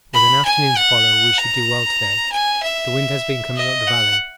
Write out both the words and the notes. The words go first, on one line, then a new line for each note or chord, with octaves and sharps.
With an afternoon to follow we should do well to-day; the wind has been coming up the valley.
B5
G#5
F#5
A#5
G#5
E5
D#5
F#5